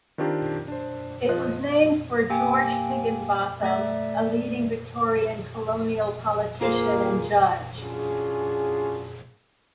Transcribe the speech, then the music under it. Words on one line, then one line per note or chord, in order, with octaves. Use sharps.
It was named for George Higinbotham, a leading Victorian colonial politician and judge.
D#3 C4 D4 F4 G4 A#4
D4 C5
F3 F4 D#5 F#6
A#3 G4 G5 G#5
A3 D5 E5
A#3 F4 G#4 A#4 C5 F5
C#4 D4 F4 F#4 G#4